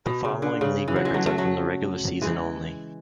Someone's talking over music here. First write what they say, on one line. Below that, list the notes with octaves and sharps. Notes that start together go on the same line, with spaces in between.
The following league records are from the regular season only.
B2
C#3
D3
C#3
E3
F#3
E3 G#3
F#3 A3
F#3 A3
F#3 A3
E3 G#3